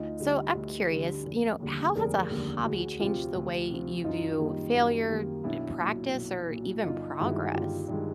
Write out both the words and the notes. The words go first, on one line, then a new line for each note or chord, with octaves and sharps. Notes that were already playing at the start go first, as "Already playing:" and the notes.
So I'm curious, you know, how has a hobby changed the way you view failure, d practice, or even progress?
Already playing: D2 D#4 F4
D3 G3
D2
D3 G3
F1
D#2 D3 G3
F1 G#4 A#4
D#2 D3 G3
D2 F#4 G#4
C3 F3 F4 G4
D2
C3 F3
F#2 D#4 F4
D#3 G3 A#3
F#2
D#3 G3 A#3
B1 D4 E4
A#2 F#3
B1
A#2 F#3
G1 D#4 F4
G2 D#3 G#3 E4 F#4
G1 F4 G4
G2 D#3 G#3